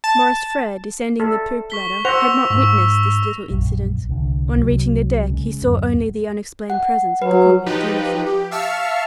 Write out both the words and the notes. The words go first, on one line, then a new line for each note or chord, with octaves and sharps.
Maurice Frere, descending the poop ladder, had not witnessed this little incident; on reaching the deck, he saw only the unexplained presence of the convict uniform.
A5
A4
C#6 B6 G7
C5 F#5 E6 A#6 F7
G#2 C#6 E6
A#1 F#2
C2 D3
C2 C3 F#3
C#3 G#3
D1 F#2
F#5
F#3 B4
F3 D#4 G4 B4
G4
E5 F5 A5 C#6 E6 F6